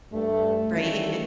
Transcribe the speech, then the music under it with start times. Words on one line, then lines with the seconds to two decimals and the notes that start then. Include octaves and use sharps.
Right, it
0.13 G2 A3
0.72 D#3 E3 G3 A3 C#4 F4